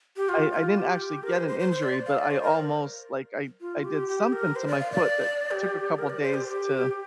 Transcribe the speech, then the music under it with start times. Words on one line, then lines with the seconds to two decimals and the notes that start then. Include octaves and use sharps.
I I didn't actually get an injury, but I almost Like, I I did something to my foot that c took a couple days to,
0.17 G4
0.29 F4
0.52 F4
0.77 G4
1.23 A#4
1.36 C5
1.48 C5
1.60 C5
1.72 C5
1.83 D5
2.07 F5
2.18 D5
2.31 C5
2.42 A#4
3.61 F4
3.84 G4
4.08 G4
4.32 A#4
4.56 C5
4.68 D5
4.79 F5
4.92 D5
5.51 G4
5.99 A#4
6.10 D5
6.22 C5
6.34 G4
6.46 G4